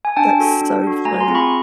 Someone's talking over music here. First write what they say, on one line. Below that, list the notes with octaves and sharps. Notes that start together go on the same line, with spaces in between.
That's so funny.
G#5
D4 G5 A5
F#4 A4
D4
F#4 A4
A3 G#5 A#5
A#5 C6
C4 F4 G#4
B5 C#6